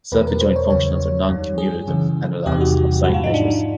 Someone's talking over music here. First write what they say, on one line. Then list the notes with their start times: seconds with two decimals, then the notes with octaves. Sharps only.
Self-adjoint functionals are noncommutative analogues of signed measures.
0.12 E2 B2 G3 B4
0.27 A#4
0.41 C5
0.56 C#5
0.70 E2 C#3 F#3 C#5
1.00 C#5
1.29 F#2 D#3 G3
1.58 G#4
1.87 F#2 C#3 E3
2.46 E2 C3 D#3 G3 G4
2.61 F#4
3.04 G#2 F3 F#4
3.14 F4
3.24 D#4
3.34 D4